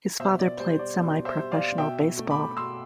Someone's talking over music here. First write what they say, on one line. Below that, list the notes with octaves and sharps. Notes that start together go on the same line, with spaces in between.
His father played semi-professional baseball.
B2 C5 E5
D5
G3 C5
D5
B2
C5 E5
G3
D5 F5
B2 E5 G5
A3
B5 D6
B2 C6 E6